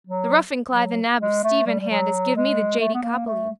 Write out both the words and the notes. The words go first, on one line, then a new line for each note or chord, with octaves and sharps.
The ruffin cly the nab of Stephen Hand as give me the jady coppaleen.
F#3
F#3
G#3
A3
G3
G3
F#3
G#3
A3
B3
A#3
A3